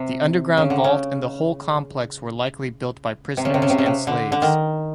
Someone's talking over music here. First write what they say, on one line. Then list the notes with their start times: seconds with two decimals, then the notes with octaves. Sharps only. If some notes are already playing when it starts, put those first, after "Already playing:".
The underground vault and the whole complex were likely built by prisoners and slaves.
Already playing: C3
0.57 C#3
0.70 D3
0.84 C#3
3.37 C3
3.45 C#3
3.54 C3
3.62 C#3
3.70 C3
3.78 C#3
3.86 C3
4.07 D3
4.32 D3
4.42 D#3